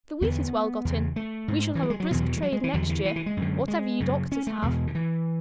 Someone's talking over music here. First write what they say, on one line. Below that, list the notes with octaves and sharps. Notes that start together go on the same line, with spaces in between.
If the wheat is well got in, we shall have a brisk trade next year, whatever you doctors have.'
E2 D3 B3
E2 C#3
A3
G#2
E3
F#3
G#3
F#3
E2 B2 E3
F#3
E3
G#3
F#3
G#3
E3
E2 D3 F#3
E3
E3
E3
G#3
F#2 D3
G#3
F#2 C#3
C#4
A3
E2 B2 G#3
D3
E3